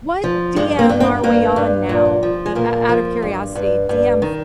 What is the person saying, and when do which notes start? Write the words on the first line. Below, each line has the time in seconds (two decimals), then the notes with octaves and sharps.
What DM are we on now? Uh, out of curiosity, DM f
0.24 F3
0.56 G2 G#3
0.79 A#3
0.89 G2
1.00 C4
1.23 G2 A#3
1.56 G2
1.89 A#2
2.23 F3
2.46 G#3
2.55 A#2 A#3
2.89 F3
3.22 G2
3.55 G2
3.89 G2
4.22 D#3